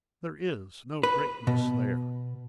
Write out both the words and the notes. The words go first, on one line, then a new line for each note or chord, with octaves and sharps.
There is no greatness there.
B4
B2